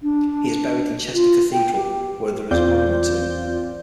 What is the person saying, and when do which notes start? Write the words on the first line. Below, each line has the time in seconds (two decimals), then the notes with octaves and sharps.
He is buried in Chester Cathedral, where there is a monument to him.
0.02 D4
1.14 F4
1.53 G5
1.77 G4
2.51 E2 C4 F4 D5 G6